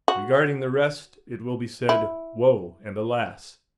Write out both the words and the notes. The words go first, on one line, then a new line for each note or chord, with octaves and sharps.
Regarding the rest it will be said, Woe, and, alas!
F#4
E4